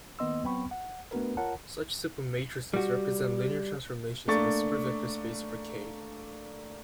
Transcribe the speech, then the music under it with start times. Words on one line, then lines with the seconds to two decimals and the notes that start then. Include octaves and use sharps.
Such supermatrices represent linear transformations of a super vector space over "K".
0.19 D#3 A#3 B3 D#5 C6 E6
0.44 F#3 B3 C4 G5 B5 C#6
0.71 F#5
1.11 A3 B3 D4 F#4 A#4 B4
1.37 F4 A#4 C#5 F#5 A5
2.74 G3 F#4
4.28 A3 A#3 D4 C#6 A6